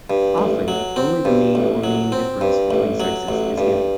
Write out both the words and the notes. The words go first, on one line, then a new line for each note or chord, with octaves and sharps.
Often only the mean or mean difference between sexes is given.
G2
A1
F#3
C4
G2
A1
F#3
C4
G2
A1
F#3
A1
G2